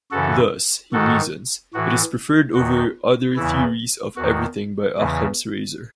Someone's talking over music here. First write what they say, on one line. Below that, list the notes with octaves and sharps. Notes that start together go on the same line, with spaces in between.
Thus, he reasons, it is preferred over other theories-of-everything by Occam's Razor.
F#2 C#3 E3 F#4 A4
G#2 D#3 F#4 A4
A2 E3 F#4
E2 D#3 F#4
E2 C#3 E3 E4
E2 D#3 F#4
E2 C#3 E3